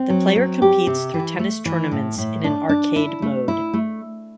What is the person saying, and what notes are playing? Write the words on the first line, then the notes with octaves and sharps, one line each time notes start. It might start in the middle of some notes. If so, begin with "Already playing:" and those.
The player competes through tennis tournaments in an arcade mode.
Already playing: C4
F#3
C4
G4
C3
E3
A3
E3
A2
A2
D4
D4
E4
A3
E4
A3